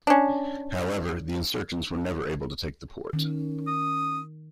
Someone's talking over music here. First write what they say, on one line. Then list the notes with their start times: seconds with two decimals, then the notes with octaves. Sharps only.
However, the insurgents were never able to take the port.
0.07 C#4 D4
3.13 D#3 C#4
3.68 D#6